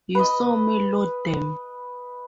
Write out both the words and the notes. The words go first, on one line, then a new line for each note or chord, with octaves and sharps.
You saw me load them.
B4 D#5